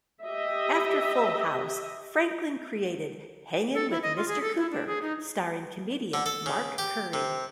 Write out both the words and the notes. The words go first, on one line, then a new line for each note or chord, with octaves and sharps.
After "Full House", Franklin created "Hangin' with Mr. Cooper", starring comedian Mark Curry.
G4 D#5 E5
A4
E4
D#5
F4
G#4
A4
E4
D4
G#4
D#4
D3
A4
C#3
G4
C3